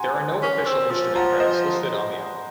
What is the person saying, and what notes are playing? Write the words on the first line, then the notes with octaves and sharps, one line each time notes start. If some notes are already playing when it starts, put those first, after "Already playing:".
There are no official instrument credits listed on the album.
Already playing: F#5 G#5 A#5 C6
C#4
C4
F3
F3 F#5 A#5
C5 D#5